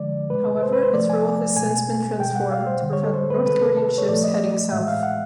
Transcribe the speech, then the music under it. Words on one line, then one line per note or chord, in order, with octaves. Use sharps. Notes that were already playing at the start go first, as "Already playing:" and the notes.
However, its role has since been transformed to prevent North Korean ships heading south.
Already playing: D3 F3 G#3 D5
C3 D#3 G#3 B4
C5
B4
C5
C3 F3 A3 D5
G#5
B2 G#3 G#5
B2 G3 G5
F#5
F5
C5
D3 G3
C#5
A4
C5
B4
C3 D#3 G#3 B4
A4
A4
C#5
A#2 F3 A3 D5
D#5
A2 E3 G#3 E5
F5
F#5